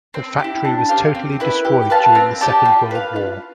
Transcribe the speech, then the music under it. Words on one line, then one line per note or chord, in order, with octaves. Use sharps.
The factory was totally destroyed during the Second World War.
C4
G4
E4
D4
G4 C5 F5
C4
E4 B4
G4
B4 F5 A5
C4
G4 D5 A5
F4
B4 F5
F4